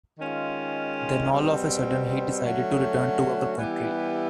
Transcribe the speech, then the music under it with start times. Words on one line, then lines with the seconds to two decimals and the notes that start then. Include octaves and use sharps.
Then all of a sudden he decided to return to our country.
0.18 D#3 G#3 C#4 F4
1.31 B2 G3 C4
2.44 D3 F#3 A3 C#4 F#4
3.57 E3 G3 B3 E4 G4